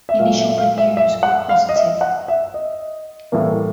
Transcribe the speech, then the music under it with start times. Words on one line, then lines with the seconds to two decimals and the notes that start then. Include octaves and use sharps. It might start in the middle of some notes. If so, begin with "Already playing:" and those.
Initial reviews were positive.
0.09 E5
0.19 A#2 F#3 A3 F5
0.38 E5
0.49 E5
0.58 F5
0.78 E5
0.97 E5
1.23 F#5
1.49 F5
1.69 D#5
1.76 E5
2.01 F#5
2.28 E5
2.54 D#5
3.32 A2 E3 G3 A#3